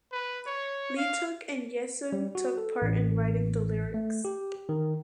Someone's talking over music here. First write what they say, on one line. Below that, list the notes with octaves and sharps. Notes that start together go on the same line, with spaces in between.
Leeteuk and Yesung took part in writing the lyrics.
B4
C#5
F5
G3
F#4
A4
A1
A3
G4
D#3